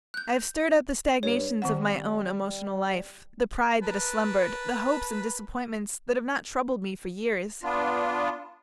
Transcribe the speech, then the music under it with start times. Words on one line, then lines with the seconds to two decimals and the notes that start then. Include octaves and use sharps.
I have stirred up the stagnations of my own emotional life, the pride that has slumbered, the hopes and disappointments that have not troubled me for years.
0.14 F#6 G6
1.23 G2 C#5
1.62 D#3 G3 C4 F#5
3.81 A#4 B4 A5
7.63 B3 D4 F4